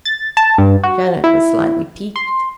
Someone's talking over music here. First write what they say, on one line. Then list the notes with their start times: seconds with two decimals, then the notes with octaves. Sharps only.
Janet was slightly piqued.
0.05 A6
0.37 A5
0.58 G2
0.84 F#4
1.24 E4
2.16 C6